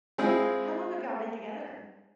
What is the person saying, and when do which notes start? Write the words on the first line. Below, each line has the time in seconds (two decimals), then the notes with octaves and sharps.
How long have y'all been together?
0.18 G#3 C4 E4 F4 G#4